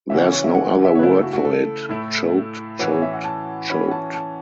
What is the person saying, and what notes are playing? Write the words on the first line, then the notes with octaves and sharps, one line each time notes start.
There's no other word for it - choked, choked, choked.
C#3 E3 C#4 F#4 E5
C#5
C#5
E5
F#5
F#5
E5
C#5
C#3 A3 E4 B4
A4
F#4
F#4
A4
A2 A3 E4
A2 E3 C#4 F#4 B4
C#5
E5
F#5
A5
E3 C#4 F#4 B5
F#5
A5
A5